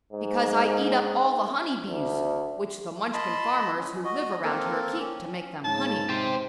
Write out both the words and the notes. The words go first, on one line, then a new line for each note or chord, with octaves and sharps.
"Because I eat up all the honey-bees which the Munchkin farmers who live around here keep to make them honey."
G#2
D2
D#5 A5 B5 C6
C#4
F#4 D#5
A#3 C4 A4 A#4
C#4
G#2 C#3 A5
C4 G4 C5